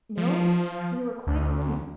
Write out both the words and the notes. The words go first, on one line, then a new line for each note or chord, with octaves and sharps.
"No; we were quite alone."
F3
D2